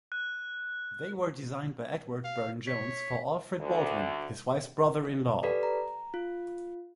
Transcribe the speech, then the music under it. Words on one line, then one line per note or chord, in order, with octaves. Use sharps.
They were designed by Edward Burne-Jones for Alfred Baldwin, his wife's brother-in-law.
F#6
F5
C#5 B6
D2
G4 A4 B4 D5 B6
A#5
F4